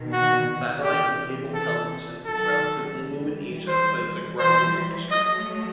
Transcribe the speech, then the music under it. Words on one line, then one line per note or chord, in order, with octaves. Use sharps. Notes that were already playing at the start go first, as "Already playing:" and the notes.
Satellite and cable television is relatively new in Asia, but is a growing industry.
Already playing: B2 D#3
F#4
C3 E3 G4
A4
D#3 F#3 A4
E3 G3
C5
E3 G3 C5
F#3 A3 D#5